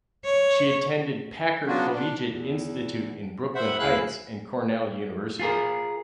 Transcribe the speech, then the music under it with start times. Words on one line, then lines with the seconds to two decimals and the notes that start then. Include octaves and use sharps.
She attended Packer Collegiate Institute in Brooklyn Heights and Cornell University.
0.25 C#5
1.67 F#3 B3 C#4 D4 F4 F#4
1.91 D4
2.28 E2
3.55 C5 E5 F#5 B5
3.79 D2 E4 G#4 F5 E6 F#6
5.39 F4 G#4 A#4